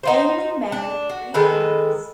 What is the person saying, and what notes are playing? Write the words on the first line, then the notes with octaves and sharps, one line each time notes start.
Ainley married three times.
D#4 F4 C5
D4
F#4
D#3 G#3 A4 B4